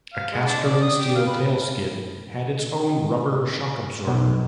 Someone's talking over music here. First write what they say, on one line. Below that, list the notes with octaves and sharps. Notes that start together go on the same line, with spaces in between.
A castoring steel tailskid had its own rubber shock absorber.
F5
G#3
D4
D5
D#6
G4
F5
B4
B1